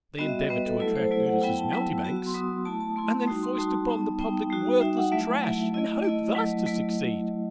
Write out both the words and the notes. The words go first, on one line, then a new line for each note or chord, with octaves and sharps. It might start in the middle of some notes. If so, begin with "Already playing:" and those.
They endeavor to attract notice as mountebanks, and then foist upon the public worthless trash, and hope thus to succeed.
G3 B3 F#4 D#5
E5
D#5
G3 B3 F#4 B4
A4
F#3 A3 E4 A4
C5
F#3 A3 E4
F#5
F#3 B3 E4 G5
A5
F#3 B3 E4 E6
F#3 B3 F#4
C6
F#3 B3 F#4 D#6
A3 E4 A5
A5
A3 E4 C6
G3 D#4 F#4 D#6
C6
G3 D#4 F#4 A5
G3 B3 D#4
G3 B3 D#4 G5
G3 D#4 F#4
G3 D#4 F#4 E5
F#5
F#3 A3 E4 E5
F#3 A3 E4
A3 E4 D#5
A3 E4 D#5
F#3 A3 E4
F#3 A3 E4